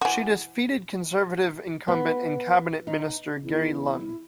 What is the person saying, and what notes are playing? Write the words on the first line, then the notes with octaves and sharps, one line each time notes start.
She defeated Conservative Incumbent and cabinet minister Gary Lunn.
E3 F#4
B3
D#4
E2 E4